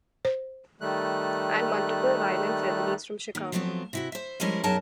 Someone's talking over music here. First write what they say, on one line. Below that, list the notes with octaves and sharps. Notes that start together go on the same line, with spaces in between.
And multiple violent felonies from Chicago.
C5
D#3 G3 A3 F#6
D#3 A#3
F3 F#3 A3 B3 C4
C3 E4 F#4
C5 E5
F3 G3 G#3 C#4 E4 A#4
F#2 B2 D#4 G#4 A#4 A5